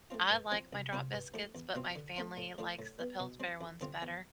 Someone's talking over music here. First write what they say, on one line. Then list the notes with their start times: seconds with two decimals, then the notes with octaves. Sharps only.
I like my drop biscuits, but my family likes the Pillsbury ones better.
0.10 A3 C4 F4
0.31 G2
0.52 F3 C4 G4
0.73 C2
0.93 C3 G3 C4 F4
1.13 G2
1.34 F3 A3 E4 G4
1.55 E2
1.75 B2 G3 C4 F4
1.95 D3
2.16 A3 C4 F4
2.37 A2
2.58 F3 A3 D4 F4
2.79 A2
2.99 G3 B3
3.20 B2
3.40 G3 C4
3.61 F2
3.81 D3 G3 C4 F4
4.02 E2